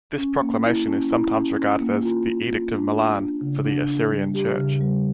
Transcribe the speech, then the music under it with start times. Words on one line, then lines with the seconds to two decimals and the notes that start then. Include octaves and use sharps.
This proclamation is sometimes regarded as "the Edict of Milan for the Assyrian Church".
0.18 C#4
0.41 A#3
0.64 E4
0.87 C#4
1.10 E4
1.33 C#4
1.57 C#4
1.80 A#3
2.03 F4
2.26 F4
2.50 F4
2.73 D4
2.96 F4
3.18 D4
3.41 C#3
3.64 D4
3.88 D4
4.11 G3
4.34 G4
4.58 C#3
4.80 G3